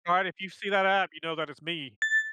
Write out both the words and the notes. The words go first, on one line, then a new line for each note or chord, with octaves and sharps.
Alright, if you see that app, you know that it's me.
A6